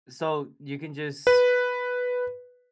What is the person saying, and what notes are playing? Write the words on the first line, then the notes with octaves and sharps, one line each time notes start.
So you can just
B4